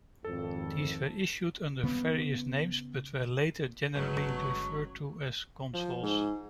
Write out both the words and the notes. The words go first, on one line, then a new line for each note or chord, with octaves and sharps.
These were issued under various names but were later generally referred to as Consols.
G#1 F2 A4
C#3 B3
G1 F#3 G#3 A3 C#4 B4
C#6
F3
G#2